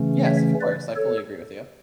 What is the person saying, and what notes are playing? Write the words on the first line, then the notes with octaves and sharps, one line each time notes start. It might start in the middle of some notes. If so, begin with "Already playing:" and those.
Yes, of course, I fully agree with you.
Already playing: C#3 E3 A3 C#4
C#5 E5
B4 D5
A4 C#5